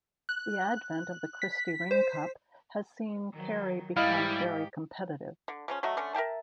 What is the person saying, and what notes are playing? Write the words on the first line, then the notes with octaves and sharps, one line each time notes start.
The advent of the Christy Ring Cup has seen Kerry become very competitive.
F#6
B6
C5
D#3 F#3
G#2 G3 E4 G4 D#5 F5
D3
C#3 F3 C#4
F#3 A3 F#4 D#5
D3 A3 C#4
A#4 E5 G5 A5